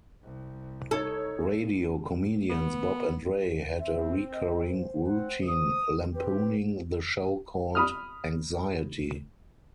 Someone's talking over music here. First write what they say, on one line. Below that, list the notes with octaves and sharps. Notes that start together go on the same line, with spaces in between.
Radio comedians Bob and Ray had a recurring routine lampooning the show called "Anxiety".
C2
D#4 A4 C#5
B3
C4 E5
D#5
C5
C4 F#5
D#6
C4 G4 B4
B5 D#6 F6